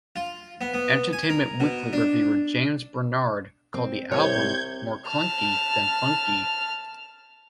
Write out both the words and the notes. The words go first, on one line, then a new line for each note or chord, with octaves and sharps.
"Entertainment Weekly" reviewer James Bernard called the album "more clunky than funky".
F4
B3
B3
G#5
A#4
B2
D4
C4
C2 C3 C#5 G6 G#6
A5 F6